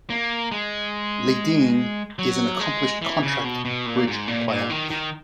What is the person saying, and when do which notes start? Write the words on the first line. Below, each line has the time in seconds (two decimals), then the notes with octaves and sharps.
Ledeen is an accomplished contract bridge player.
0.10 A#3
0.52 G#3
2.19 F#3
2.60 G#3
3.02 E3
3.23 C#3
3.44 B2
3.65 B2
3.86 A#2
4.07 G#2
4.28 A#2
4.48 A#2
4.70 D#3
4.90 D#3